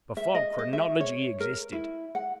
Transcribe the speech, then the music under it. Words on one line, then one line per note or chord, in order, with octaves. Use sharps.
Before chronology existed....
E5
D#5
D#5
E5
C#5
A#4
E4
F#5